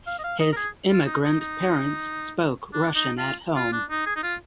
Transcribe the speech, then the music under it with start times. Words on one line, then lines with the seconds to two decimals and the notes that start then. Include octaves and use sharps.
His immigrant parents spoke Russian at home.
0.07 F5
0.19 D#5
0.24 F5
0.40 D#5
0.53 A#4
0.56 G#4
0.91 F4
1.06 D#4
1.24 D#4
1.40 D#4
2.73 D4
2.95 D#4
3.18 F4
3.56 F4
3.73 D4
3.90 D#4
4.06 G#4
4.16 D#4
4.23 F4